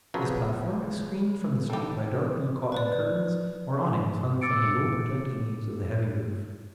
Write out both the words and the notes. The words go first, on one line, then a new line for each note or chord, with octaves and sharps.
This platform is screened from the street by dark blue cotton curtains or awnings hung from the low projecting eaves of the heavy roof.
C#3 F3 F#3 B3
G3 G4 A4
B4 C5 D5
D6 E6 A6 C#7 D7